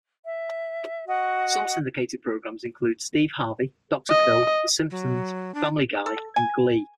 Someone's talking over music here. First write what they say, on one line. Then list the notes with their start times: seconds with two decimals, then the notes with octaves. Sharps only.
Some syndicated programs include "Steve Harvey", "Doctor Phil", "The Simpsons", "Family Guy", and "Glee".
0.25 E5
1.08 F#4 D#5 F#5 C#6
4.09 D#5
4.91 F#3
5.54 D4
6.06 A4
6.36 G#5